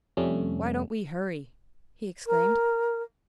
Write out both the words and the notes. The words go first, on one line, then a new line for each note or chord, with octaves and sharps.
"Why don't we hurry!" he exclaimed.
F2 C3 G3 A3 C#4
A#4